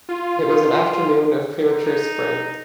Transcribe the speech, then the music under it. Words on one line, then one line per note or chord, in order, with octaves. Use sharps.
It was an afternoon of premature spring.
F4
D#4